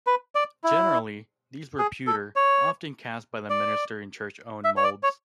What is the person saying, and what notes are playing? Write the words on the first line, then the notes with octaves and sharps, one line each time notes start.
Generally, these were pewter, often cast by the minister in church-owned molds.
B4
D5
E4
G#4
A4
C#5
D5
E5
C#5
D5
C#5